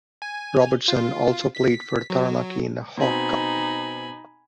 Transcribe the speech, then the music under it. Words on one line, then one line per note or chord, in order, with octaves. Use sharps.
Robertson also played for Taranaki in the Hawke Cup.
G#5
F4
B6
F#3
B2 C4 D#4 G#5 B5